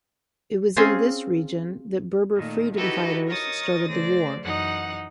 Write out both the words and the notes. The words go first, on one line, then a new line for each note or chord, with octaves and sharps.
It was in this region that Berber freedom fighters started the war.
C4 C#4 F4 G#4 C5
A#2 D#3 A3
D#4 E4 F#4 G4 A4 B4
A#4 C#5 D#5 C#6 D#6 A6
C#3 A3 C5 D5 A#6
F#2 E3 D#4 F#5 F#6